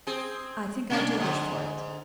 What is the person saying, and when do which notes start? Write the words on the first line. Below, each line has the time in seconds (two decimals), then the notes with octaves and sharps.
"I think I do wish for it."
0.07 C4 G#4
0.90 B2 C#4 D4
1.17 G#2 D3